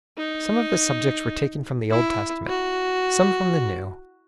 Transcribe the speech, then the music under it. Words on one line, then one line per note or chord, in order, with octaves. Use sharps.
Some of the subjects were taken from the Old Testament, some from the New.
D#4
E4
F#4